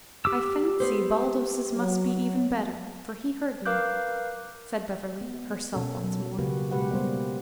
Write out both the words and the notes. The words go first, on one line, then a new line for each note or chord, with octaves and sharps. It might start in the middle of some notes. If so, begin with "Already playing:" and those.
"I fancy Baldos's must be even better, for he heard me," said Beverly, herself once more.
G4 D6 E6
B3 C5
F#3
A#4 B4 F5 D6 F#6 G6
B3
B2 A#3 C#4 A4
F#3
C#3 A#3 F#4 G4 B4
B2 G#3 G4 B4 F#5
G3 A#3 B3 C5